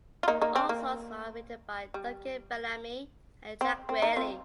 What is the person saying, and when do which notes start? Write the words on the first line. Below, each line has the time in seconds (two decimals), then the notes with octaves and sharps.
All songs are written by Duncan Bellamy and Jack Wyllie.
0.23 F4
0.28 A#3 D#4
0.42 A#3 D#4
0.55 C4
0.69 A#3
1.94 G3
3.61 C4
3.89 C4
4.02 A#3 D#4
4.16 C4 F4